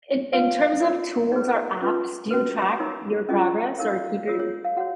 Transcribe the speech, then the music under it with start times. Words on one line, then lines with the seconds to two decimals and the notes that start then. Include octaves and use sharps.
in in terms of tools or apps, do you track your progress or keep your
0.33 F4 B4 F5
0.82 F4 A#4 C#5
1.32 D#4 G#4 B4 C#5
1.81 C#4 F4 B4
2.31 C#4 F#4 B4
2.80 D#4 A#4 C#5
3.29 C#4 F4 G#4 D#5
3.78 D#4 A#4 C#5 F5
4.28 F4 A#4 C#5
4.40 C#5
4.65 F5
4.77 F#4 C#5 F#5